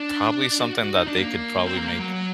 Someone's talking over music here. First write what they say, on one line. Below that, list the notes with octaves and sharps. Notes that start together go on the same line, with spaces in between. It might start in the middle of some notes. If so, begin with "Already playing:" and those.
probably something that they could probably make
Already playing: D4
F#4
F#4
D#4
D4
A#3
A#3
C4
A#3
A#3
F#3